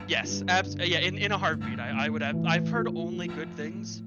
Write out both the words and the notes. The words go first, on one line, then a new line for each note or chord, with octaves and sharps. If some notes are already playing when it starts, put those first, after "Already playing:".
Yes, abs yeah, in in a heartbeat, I I would have I've heard only good things,
Already playing: G1
G2
D3
G1
A2
A2
E3
F4
F3
A2